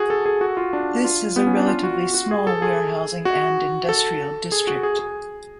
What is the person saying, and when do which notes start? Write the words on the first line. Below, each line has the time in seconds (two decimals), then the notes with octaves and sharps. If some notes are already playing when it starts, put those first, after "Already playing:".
This is a relatively small warehousing and industrial district.
Already playing: F#4 G#4
0.10 A4
0.26 G#4
0.41 F#4
0.57 F4
0.73 D4
1.04 F4
1.36 B3
1.47 C#4
1.57 D4
1.68 F4
1.83 F#4
2.14 F#4
2.31 G#4
2.47 A4
2.62 G#4
3.25 F#4
3.89 A4
4.52 G#4
4.67 F#4
4.83 G#4
4.99 G#4